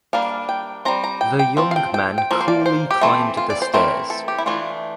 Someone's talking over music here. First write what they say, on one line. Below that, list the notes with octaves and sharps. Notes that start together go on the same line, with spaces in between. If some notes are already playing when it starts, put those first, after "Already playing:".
The young man coolly climbed the stairs.
G3 A#3 D4 F5
G5
G3 C4 A#5
A#5
G5
G5
F3 C4
F5
G5
G5
G5
F3 A#3
C5
D5
C5
G4
E3 A3 C4 A4
F4
D5
C5
E3 A3 C4 A#4
A4
G4
E4
E3 A3 D4 F4